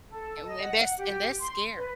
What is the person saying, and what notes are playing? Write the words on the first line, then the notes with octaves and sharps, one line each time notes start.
and when that's and that's scary.
A4
D#5
F#5
G4
C6
B4